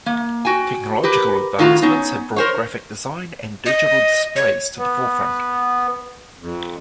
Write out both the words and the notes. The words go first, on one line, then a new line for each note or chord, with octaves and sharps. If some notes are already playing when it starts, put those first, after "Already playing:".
Technological advancements have brought graphic design and digital displays to the forefront.
A#3
F#4 G5 G#5
G4 A#4 B4
A2 D#3 F4 F#4 A5 A#5
B3 C#4 D#4
A#4 C5 C#5
D#5
C#5
B3
F2